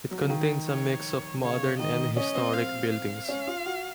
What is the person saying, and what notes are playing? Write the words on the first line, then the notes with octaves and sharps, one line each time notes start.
It contains a mix of modern and historic buildings.
F#3
C#3
D#3
C#5
C#3 C#5
D#3 D#5
D#3
C#4 D#5
C4
F5
F5
C#4
F4
F#4